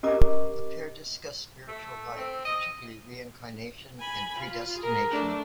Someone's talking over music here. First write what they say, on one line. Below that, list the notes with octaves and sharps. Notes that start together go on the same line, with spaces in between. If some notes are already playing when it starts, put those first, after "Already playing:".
The pair discussed spiritual life, particularly reincarnation and predestination.
C#4 G4 A#4 D#5 A#5 D6
A3
C4
D#5
G#5 B5
F4
G#4 A#4
A3 D4